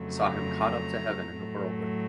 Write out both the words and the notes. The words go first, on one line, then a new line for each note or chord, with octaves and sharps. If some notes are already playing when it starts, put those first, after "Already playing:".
They saw him caught up to heaven in a whirlwind.
Already playing: F2 C#3 F#3 A3
A#5
A2 F#3 A3